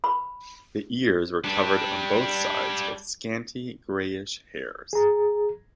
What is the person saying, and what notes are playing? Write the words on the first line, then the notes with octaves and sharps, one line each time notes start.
The ears were covered on both sides with scanty grayish hairs.
B5
G3 D4
G#4 A#5